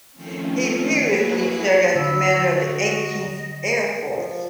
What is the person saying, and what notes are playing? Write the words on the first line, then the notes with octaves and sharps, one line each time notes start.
He previously served as commander of the Eighteenth Air Force.
D#3 F3 A3 C4 C#4
A#3 E4 F#4 G#4 B4
D3 E4 F#4 B5 E6
D#5
F3